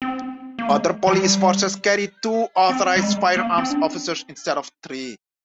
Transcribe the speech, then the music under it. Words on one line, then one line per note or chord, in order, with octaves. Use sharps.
Other police forces carry two Authorised Firearms Officers instead of three.
C4
A#3
G#3
F3
G3
C4
G3
G#3
A#3
C4
D4